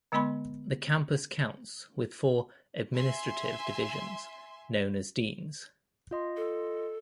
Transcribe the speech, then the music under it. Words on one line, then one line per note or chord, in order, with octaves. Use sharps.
The Campus counts with four administrative divisions known as 'Deans'.
D3 G#3 B3 D#5 B5 C6
E5 G#5 C6
F4 D#5 C6
A4